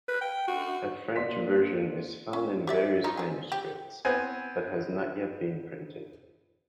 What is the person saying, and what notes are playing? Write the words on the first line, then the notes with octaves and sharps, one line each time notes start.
A French version is found in various manuscripts, but has not yet been printed.
B4
G5
F#4
A#3 D5 C6 B6
C#4
G4 D5 E5
F3 C#4 D#4
C4 G#4
G4
B3 C4 G#5